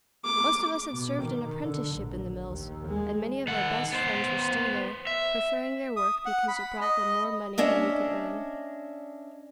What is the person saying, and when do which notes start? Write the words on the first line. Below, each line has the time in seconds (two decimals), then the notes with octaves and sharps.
Most of us had served an apprenticeship in the mills, and many of our best friends were still there, preferring their work because it brought them more money than we could earn.
0.25 D6
0.93 B2
1.23 D#3
1.63 D3
1.95 A#1
2.47 D#2
2.88 G#3
3.47 D#3 F#5
3.92 B3 C5
5.07 E5
5.96 D#6
6.26 F#5
6.48 B5
6.81 D#5
7.58 C#4 D4 D#5 E5